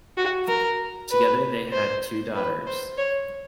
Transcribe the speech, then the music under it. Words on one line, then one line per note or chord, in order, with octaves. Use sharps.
Together, they had two daughters.
F#4
A#4
B4
C5
B4
C5
C#5